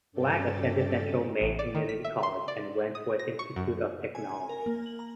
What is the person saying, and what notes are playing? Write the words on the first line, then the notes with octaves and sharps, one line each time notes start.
Black attended Central Maine Community College and Wentworth Institute of Technology.
G2 C#4 A4 D5 G5 A6
A1
D5
D#3
B6
E5
C6
D5
D#6
A#6
C#6
F#2
G#5
G#5
A#4
A#3
F#7
A#5